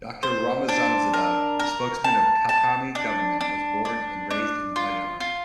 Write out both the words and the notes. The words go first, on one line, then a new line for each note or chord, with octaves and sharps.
Doctor Ramezanzadeh, the spokesman of Khatami government has was born and raised in Bijar.
C5
D4
A#4
A#4
A5
A5
D4
D4
D4
D4
F4
F4